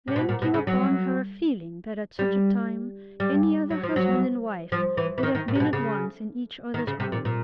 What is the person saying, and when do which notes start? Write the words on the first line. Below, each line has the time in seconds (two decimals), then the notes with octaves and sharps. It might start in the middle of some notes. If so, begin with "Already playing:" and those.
Then came upon her a feeling that at such a time any other husband and wife would have been at once in each other's arms.
0.08 C3
0.16 B2
0.29 A#2
0.42 B2
0.54 C#3
0.67 F#3
2.19 G3
3.20 G3
3.70 F#3
3.83 F3
3.96 F#3
4.72 F3
4.97 E3
5.18 E3
5.23 D#3
5.35 D#3
5.48 A#2
5.55 C3
5.60 B2
5.73 C#3
6.74 D#3
6.87 C#3
7.00 C3
7.12 A#2
7.25 A#2